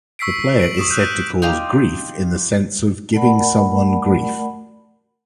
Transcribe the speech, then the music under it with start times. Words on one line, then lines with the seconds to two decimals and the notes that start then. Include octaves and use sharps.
The player is said to cause "grief" in the sense of "giving someone grief".
0.19 C#6 E6 B6 C7 D7
0.60 D7 F#7
0.77 C#6 D#6 E7
0.90 E6 F#6 G6 D#7
1.42 D#4 F4 G4
3.14 A3 A#4 D5 F#5 A5 B5